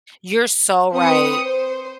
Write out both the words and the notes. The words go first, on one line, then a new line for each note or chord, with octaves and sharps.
you're so right.
C4 B4 D#6 C#7
C5